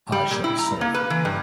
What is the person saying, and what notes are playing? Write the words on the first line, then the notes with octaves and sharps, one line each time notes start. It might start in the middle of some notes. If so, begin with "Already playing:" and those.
I shall be sorry for you.
G3
A#2
E4
A#5
A#3
B4
E3
G2